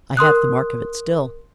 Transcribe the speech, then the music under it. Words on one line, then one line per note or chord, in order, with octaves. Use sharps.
I have the mark of it still.
A#4 C6 D#6 F#6